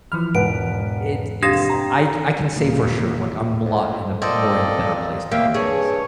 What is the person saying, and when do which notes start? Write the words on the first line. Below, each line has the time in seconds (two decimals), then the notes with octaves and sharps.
it's it's I c I can say for sure, like, I'm a lot in a more in a better place nowadays.
0.12 E3 F3 B5 F6
0.35 E1 G#2 B4 F#5 D7
1.43 F1 D4 G4 F5 A#6 E7
1.70 G5 A#5
2.55 D#2 A#2
3.65 F2
4.22 A#2 C4 A4 D5 D#5
5.31 D#2 A#3 E5 F5 G5
5.54 G2 G#4 C#5